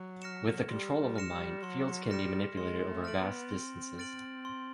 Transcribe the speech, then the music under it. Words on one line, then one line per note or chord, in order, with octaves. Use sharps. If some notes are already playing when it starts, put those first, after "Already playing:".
With the control of a Mind, fields can be manipulated over vast distances.
Already playing: F#3
F6 A#6 C#7 E7
G3 C6
G3
F6 A#6 C#7 E7
G3
F#3 C6
G3 F6 A#6 C#7 E7
G#3 C6
A3
F6 A6 D7 F#7
B3
C4 C6
F6 A6 D7 F#7
C6